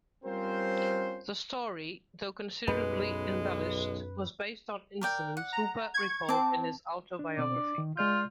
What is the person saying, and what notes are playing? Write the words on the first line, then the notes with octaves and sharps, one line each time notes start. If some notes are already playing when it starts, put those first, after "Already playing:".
The story, though considerably embellished, was based on incidents Hooper recalled in his autobiography.
G3 C4 C#4 F4 A#4 C5
B1 F#2 G#3 C#4 B4
A#4 D5 G5
F#5
A#5
C#6 G#6
C4 A5 D6
D4
B2 C4 D5
D4
D#3
G#3 F4 D5 G6